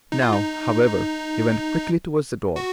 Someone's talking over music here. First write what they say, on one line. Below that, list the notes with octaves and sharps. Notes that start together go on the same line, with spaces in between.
Now, however, he went quickly toward the door.
D#4
F4
D#4
F#4